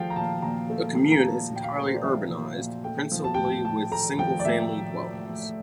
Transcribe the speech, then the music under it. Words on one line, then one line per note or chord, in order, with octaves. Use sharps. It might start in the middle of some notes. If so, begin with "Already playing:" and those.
The commune is entirely urbanized, principally with single-family dwellings.
Already playing: F3 A3 F5 G5
A#5
A#2 A5
A#2 A#5
A3
F3
A#5
A#2 A5
A#2
G5
F5
A3
C5
D5
F3 E5
A#2
A#2
A3 G5
F3
A5
A2 G5
A5
A2 A5
A3 A#5
F3 G5
D5
A2 E5